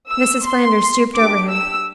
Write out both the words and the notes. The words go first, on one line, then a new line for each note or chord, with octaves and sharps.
Mrs. Flanders stooped over him.
E6
C6
D4 G4 D6
E6